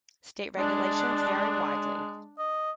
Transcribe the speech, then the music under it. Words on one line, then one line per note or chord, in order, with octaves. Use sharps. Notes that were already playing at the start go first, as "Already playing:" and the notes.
State regulations vary widely.
G#3 D4
D#5